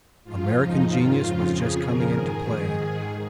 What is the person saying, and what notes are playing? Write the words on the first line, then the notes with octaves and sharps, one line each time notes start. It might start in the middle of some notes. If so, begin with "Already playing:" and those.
American genius was just coming into play.
G#2 F3 F4
F2 C#3 F3 D#4
G#2 D#3 F4
F2 C#3 F3
F2 C#3 F3 G#4
F2 C#3 F3 A#4
G#2 D#3 G#4
G#2 D#3 G#4
G#2 D#3